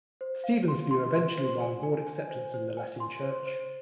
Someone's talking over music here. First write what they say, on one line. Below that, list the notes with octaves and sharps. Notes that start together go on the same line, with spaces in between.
Stephen's view eventually won broad acceptance in the Latin Church.
C5
F5
C6
C6
C6
C5
G#5
G#5
G#5
C5
C5
G#5
C6
C5
C5